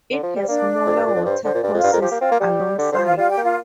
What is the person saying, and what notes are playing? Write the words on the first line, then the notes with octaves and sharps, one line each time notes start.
It has smaller watercourses alongside.
D3
F3
G3
C5
A#3 D4 D5
F2
G2
A#2
F2
G2 C5
D3 C5
A#2
G2 D4 D5
F2 F4 F5
G2
F2 A#4
F3 G4
A#3
C4 F4
A#3
G3 G4
D3 G4
D3 C5
F3
F4 F5
G3 F4 F5
G4 G5
A#3
F4 F5